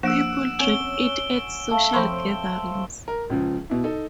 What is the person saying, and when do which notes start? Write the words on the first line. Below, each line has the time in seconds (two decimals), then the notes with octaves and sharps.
People drank it at social gatherings.
0.03 F3 A#3 D4 F#5 E6 D7 E7
0.59 C4 C#4 D7 G7
1.71 A3 F5
1.94 F3 C4 C5 B5 C#6
3.08 A#4
3.30 C#2 C#3 F3
3.70 B2 E4
3.84 D#4 A4